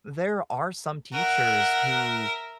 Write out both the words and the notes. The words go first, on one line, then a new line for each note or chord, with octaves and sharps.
there are some teachers who
A#4 E5 F#5